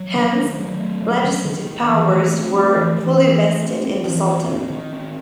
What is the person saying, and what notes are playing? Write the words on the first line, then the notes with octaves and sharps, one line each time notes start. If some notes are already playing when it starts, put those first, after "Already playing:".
Hence, legislative powers were fully vested in the Sultan.
Already playing: F#3
D#3
A3
F#3
A3
F#3
D#3
D#3
D#3
E3
A3
C4
A3
E3
E3
E3
A3
C4
C4
E3
C4
D#3
D#3
C4